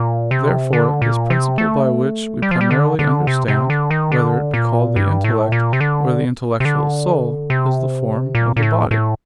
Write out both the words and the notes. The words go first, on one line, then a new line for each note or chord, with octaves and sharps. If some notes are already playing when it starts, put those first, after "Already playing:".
Therefore this principle by which we primarily understand, whether it be called the intellect or the intellectual soul, is the form of the body.
Already playing: A#2
C3
D3
A#2
C3
A3
G3
F3
G3
D3
D3
C3
C3
D3
D#3
D3
A#2
G2
A2
A#2
C3
D3
C3
D3
C3
A#2
A#2
A2
A2